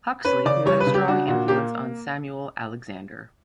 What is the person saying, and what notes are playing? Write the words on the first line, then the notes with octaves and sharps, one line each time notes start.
Huxley, who had a strong influence on Samuel Alexander.
C#4 B4
C#3 D5
G3 C#5
B4
C#3
G4
D4 F#4
A#2 F#4
A#3 G4